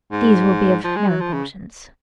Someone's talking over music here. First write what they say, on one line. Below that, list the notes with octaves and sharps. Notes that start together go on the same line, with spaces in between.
These will be of no importance.
G#2
F3
G#3
F#3
F3
C#3